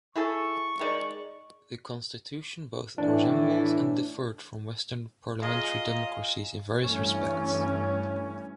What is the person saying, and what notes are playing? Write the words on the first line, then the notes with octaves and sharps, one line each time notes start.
The constitution both resembled and differed from Western parliamentary democracies in various respects.
E4 G#4 A4 C#6
D#3 G#3 D5
A2 E3 D4
F4 G#4 A#4 D#5 F5
G2 E3 A3 C#4